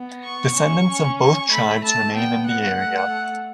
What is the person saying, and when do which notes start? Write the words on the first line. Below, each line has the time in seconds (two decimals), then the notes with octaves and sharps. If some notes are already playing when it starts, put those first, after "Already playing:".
Descendants of both tribes remain in the area.
Already playing: B3
0.25 C#6
0.56 C#4
0.88 C#4
1.20 C#6
1.52 A3 B5
1.84 A5
2.15 B3 G5
2.47 F#5
2.78 A3